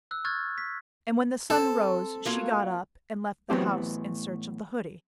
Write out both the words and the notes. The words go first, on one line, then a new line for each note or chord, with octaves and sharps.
And when the sun rose she got up, and left the house, in search of the hoodie.
E6 F#6
C#6 F6 F#6 G#6 A6
B6
C4 A4
F#3 A#3 F4
A2 E3 F#3 B3 C4 G4